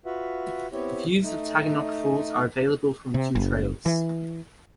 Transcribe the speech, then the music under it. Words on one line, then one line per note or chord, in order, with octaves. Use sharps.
Views of Taughannock Falls are available from two trails.
F4 F#4 B4 E5 F#5
B3 C4 E4 G4 C#5
A3 D#4
C3
F#1
E3